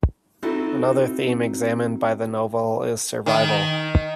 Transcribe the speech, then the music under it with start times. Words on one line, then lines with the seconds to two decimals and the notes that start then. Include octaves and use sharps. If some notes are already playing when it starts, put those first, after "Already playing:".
Another theme examined by the novel is survival.
0.42 C4 D#4 E4 F#4 A4
3.26 D#3